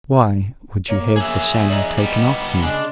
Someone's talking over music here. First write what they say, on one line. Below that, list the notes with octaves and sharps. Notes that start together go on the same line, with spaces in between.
Why would you have the shame taken off you?
A#3 C#5
G#4 E5
D#4 D5 G#5
G3 B3
C#3 G#3 D4